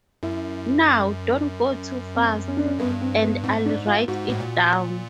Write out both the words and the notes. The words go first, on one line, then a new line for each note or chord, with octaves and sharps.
Now don’t go too fast — and I’ll write it down.
F#2 E4
C4
C#4
D4
C#4
G2 B3
C4
B3
G#2 C4
D4
F4
G#2 F#4
A2
A#2